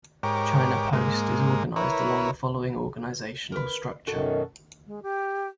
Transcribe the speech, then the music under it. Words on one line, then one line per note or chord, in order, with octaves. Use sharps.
China Post is organized along the following organizational structure.
G#2 G4 A#4 C#5 D6
G#2 G#3 A#3
E4 A#4 B4 C#5
A#4 B4
F#2 B2 D#3 F#4 A4
G#3
G4